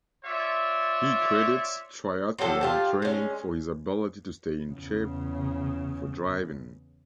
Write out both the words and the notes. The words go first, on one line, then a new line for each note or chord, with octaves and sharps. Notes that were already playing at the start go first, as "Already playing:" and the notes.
He credits triathlon training for his ability to stay in shape for driving.
F4 C#5 D5 E5
F3 F#3 G4 A4
F4 G4 A5
G#3 C#4
E2 C#3